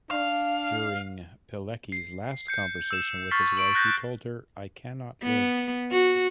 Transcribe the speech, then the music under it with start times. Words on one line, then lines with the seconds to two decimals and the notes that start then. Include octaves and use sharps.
During Pilecki's last conversation with his wife he told her: I cannot live.
0.11 D4 F5
1.92 C7
2.48 G6 C#7
2.91 E6 E7
3.31 C#6 F6 A6 B6 C7
3.57 C#6 D7 F#7
3.75 F#6 G6 A#6
5.23 B3
5.91 F#4